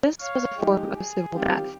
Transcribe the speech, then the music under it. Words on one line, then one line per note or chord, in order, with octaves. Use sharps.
This was a form of civil death.
C#5 F5
F3 G#3 D#4 G4
G#4
D#3 G3 C4 F4 G4